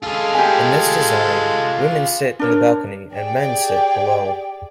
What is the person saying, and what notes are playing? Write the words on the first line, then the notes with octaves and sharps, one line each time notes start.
In this design, women sit in the balcony and men sit below.
G#3 F4 G#4 A4
G4 D#5 G#5
D4 A#4 C#5
G4 G#4 D5 G5